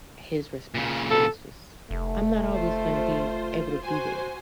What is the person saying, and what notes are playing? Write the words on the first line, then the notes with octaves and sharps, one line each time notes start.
his response was just, "I'm not always gonna be able to be there."
A#2 C#3
A4
F1 A3
F4 C5
F#4 C5 G#5